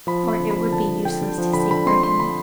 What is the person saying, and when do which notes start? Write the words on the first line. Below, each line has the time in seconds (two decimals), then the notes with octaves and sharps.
For it would be useless to seek for him.
0.07 F3 B5
0.23 C4
0.28 B5
0.40 D3
0.51 B5
0.56 F3
0.72 D3 A5
0.88 D3
1.05 D3 G5
1.21 D3
1.38 F3
1.53 D3 B5
1.71 D3 B5
1.86 C4 C6
2.03 C4 C6
2.20 D3 B5